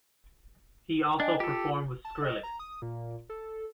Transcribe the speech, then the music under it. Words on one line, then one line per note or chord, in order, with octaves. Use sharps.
He also performed with Skrillex.
D4 D#5 G5 G#5
F4 G4 A4
A5
D#5
A#5
D#6
A#2
A4